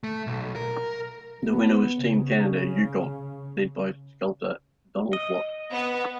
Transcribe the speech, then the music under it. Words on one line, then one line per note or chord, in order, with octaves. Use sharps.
The winner was Team Canada - Yukon, led by sculptor Donald Watt.
A3
B1
A#4
B3
C#3
D#5
B3